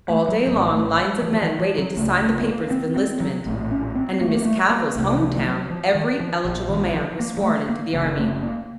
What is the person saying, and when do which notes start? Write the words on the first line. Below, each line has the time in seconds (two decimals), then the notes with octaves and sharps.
All day long lines of men waited to sign the papers of enlistment, and in Miss Cavell's home town every eligible man was sworn into the army.
0.10 A3
0.28 F#3
0.47 A1 A2 F#3
0.68 F#3
0.73 A3
0.97 F#3
1.22 F3
1.34 F3
1.41 D#3
1.59 F3
1.78 F#3
1.97 C#2 A3
2.01 C#3
2.21 A3
2.40 A3
2.47 A#3
2.71 C4
2.97 C4
3.20 F#3
3.46 A#1 A3
3.50 A2
3.71 C#4
3.95 C4
4.21 A#3
4.28 A3
4.35 A#3
4.45 A3
4.70 A#3
4.95 C2 C3 A3
5.15 D#3
5.21 F3
5.36 A3
5.45 F#3
5.70 F3
5.95 D#3
6.20 F3
6.45 A#1 A#2 F3
6.69 D#3
6.88 D#3
6.94 F3
7.20 A#3
7.37 F#3
7.43 A3
7.69 A#3
7.93 F#1 F#2 C#3 A#3
8.19 A3
8.43 A#3